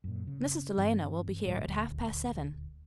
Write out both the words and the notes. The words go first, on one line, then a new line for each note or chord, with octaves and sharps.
Mrs. Delano will be here at half past seven.
F#2 A#2
C#3
G2 E3 C4
D2 A2 G3 G#3
D#1 D2